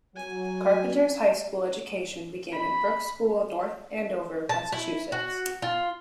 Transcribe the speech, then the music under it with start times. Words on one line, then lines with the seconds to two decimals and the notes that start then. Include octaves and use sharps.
Carpenter's high school education began in Brooks School North Andover, Massachusetts.
0.15 F#3 G#5
2.52 B5
4.49 A5
4.72 E4
5.12 F#4
5.62 F4